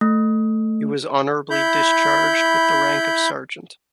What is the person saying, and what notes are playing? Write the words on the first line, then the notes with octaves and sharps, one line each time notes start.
He was honorably discharged with the rank of Sergeant.
A3
E4 B5 G6